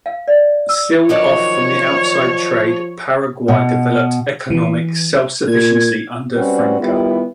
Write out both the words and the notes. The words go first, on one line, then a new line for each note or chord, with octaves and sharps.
Sealed off from outside trade, Paraguay developed economic self-sufficiency under Francia.
F5
D5
E6
D#3 F3 F#3 D4 C#5
B2
E3
A#2 G#6
G3 C4 C#4 F#4 B4 D5
D#3 G3 B3 E4 F4 G4